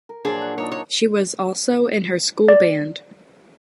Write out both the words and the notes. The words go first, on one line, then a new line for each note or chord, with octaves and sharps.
She was also in her school band.
A#4
A#2 F3 F#3 D4 G#4
F#5
A#3 D#4 C#5 A5
C#5
D5